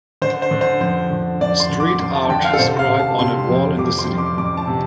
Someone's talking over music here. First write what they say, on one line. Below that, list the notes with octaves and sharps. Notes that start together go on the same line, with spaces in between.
Street art scribe on a wall in the city.
D3 C5
C5
D3
C5
F2 C5
D3
F2 D5
C6
D3
D6
F2 C6
A5
D3 G5
F5
A4
C3 C5
F5
C3
A5
C3 C6
F2
F2 D6
C6
F2
D6
F2 D6
A5
C3